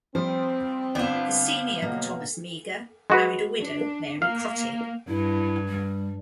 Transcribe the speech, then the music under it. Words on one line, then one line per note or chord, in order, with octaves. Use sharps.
The senior Thomas Meagher married a widow, Mary Crotty.
F3 G3 C4 C5
G1 B3 D4 F4 E7
F2 B2 F#3 A#3 D#5
G#3 F#4 B4
D4
A#3 F5
G2 E4
G3